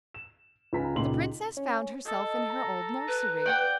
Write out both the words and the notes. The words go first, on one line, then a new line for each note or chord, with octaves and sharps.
The princess found herself in her old nursery.
E7
C#2 F4 B4 G#5 A#5 B6
C#2 A#2 D#4 C6 F#7
C#4
A4 D#5
A#5
B4
D5 F#5 G5 G6